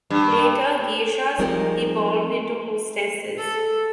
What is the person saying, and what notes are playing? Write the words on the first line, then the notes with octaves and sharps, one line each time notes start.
Later geishas evolved into "hostesses".
G2
F3 G3 G#3 C4 D#4 A#4
A4